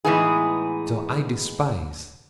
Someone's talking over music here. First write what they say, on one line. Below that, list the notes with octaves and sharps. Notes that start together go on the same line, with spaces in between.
So I despise.
A2 E3 G#3 B3 D#4 G#4